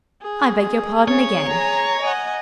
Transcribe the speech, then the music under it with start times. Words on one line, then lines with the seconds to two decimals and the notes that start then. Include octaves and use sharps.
I beg your pardon again.
0.22 G#4
1.08 C#4 C#5
1.48 G#4 A#5
2.01 D#5 F#5 G#5